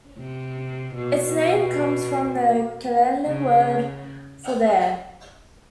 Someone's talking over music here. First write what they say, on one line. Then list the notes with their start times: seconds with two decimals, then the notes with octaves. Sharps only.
Its name comes from the Kele word for "there".
0.18 C3
0.95 B2
3.27 C#3